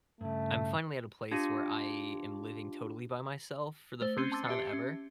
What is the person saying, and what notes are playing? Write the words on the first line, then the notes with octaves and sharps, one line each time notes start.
I'm finally at a place where I am living totally by myself for the first time ever.
G2 C#3 A3
D4 F4 G4
A3 C5
C4 C#4 C6 D#7 G7
A5 C6 D6 E6 A6
G4 E5 C7 C#7
C#4